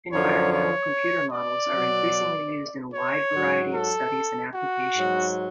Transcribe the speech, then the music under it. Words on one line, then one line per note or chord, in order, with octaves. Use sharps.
Environmental computer models are increasingly used in a wide variety of studies and applications.
F#2 D3 F3 C#5
C#5
D5
B2 F#3
C#5
G#2 F#3
A4
F#4
G#2 F#3